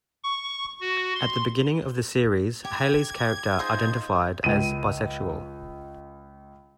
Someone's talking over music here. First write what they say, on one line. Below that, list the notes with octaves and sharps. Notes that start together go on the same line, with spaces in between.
At the beginning of the series, Hailey's character identified as bisexual.
C#6
F#4
C6
G4 D6 G#6
D#4 F4 G#4 C5 D#6
C#2 D#7